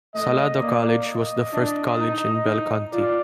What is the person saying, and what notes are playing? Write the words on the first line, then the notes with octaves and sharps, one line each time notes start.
Salado College was the first college in Bell County.
A3 D#5
A#3 D5
D#5
D4 D#5
D#4
D#4
F4 D5